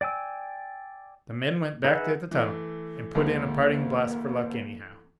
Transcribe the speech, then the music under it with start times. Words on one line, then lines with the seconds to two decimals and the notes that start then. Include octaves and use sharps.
The men went back to the tunnel and "put in a parting blast for luck" anyhow.
0.01 D5 G5 G#5 E6
1.84 D#4 G#4 B4 E5 F#5
2.31 E3 A3
3.15 D2 D3 G#3 A#3